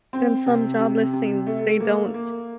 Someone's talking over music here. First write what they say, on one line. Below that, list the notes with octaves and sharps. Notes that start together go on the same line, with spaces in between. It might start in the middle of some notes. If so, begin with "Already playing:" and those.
And some job listings, they don't
C4
C3
C3
C3
A3
A#3
A#3